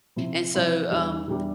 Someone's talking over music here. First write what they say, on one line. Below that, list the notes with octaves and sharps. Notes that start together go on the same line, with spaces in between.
And so, um,
C3 F3 C4 E4
C3 F3 C4 E4
E2 E3 G3 D4
E2 E3 G3 D4